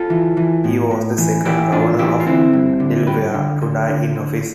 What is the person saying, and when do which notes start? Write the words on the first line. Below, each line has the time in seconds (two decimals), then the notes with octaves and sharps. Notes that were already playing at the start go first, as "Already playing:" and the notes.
He was the second Governor of Delaware to die in office.
Already playing: F4 A4
0.10 E3
0.37 E3
0.64 A2
0.91 A2
1.18 E3
1.45 E3 E4 G4
1.72 A2 D4 F4
1.98 E3 E4 G4
2.20 F4
2.26 D3 C4 E4
2.53 G2
2.80 D3
3.07 G2 G4 B4
3.34 D3
3.61 D3
3.89 D3
4.16 D3